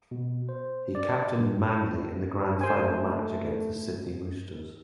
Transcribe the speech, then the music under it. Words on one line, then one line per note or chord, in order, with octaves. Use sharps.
He captained Manly in the Grand Final match against the Sydney Roosters.
B2
C5
D5
G2
A3 C5 G#5